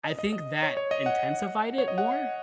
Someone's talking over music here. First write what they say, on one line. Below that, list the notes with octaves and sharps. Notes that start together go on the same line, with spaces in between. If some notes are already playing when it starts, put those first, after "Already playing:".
I think that intensified it more,
D#5
D#5
D#5
C#5
C#5
D#5
F#5
C#5
D#5
F#5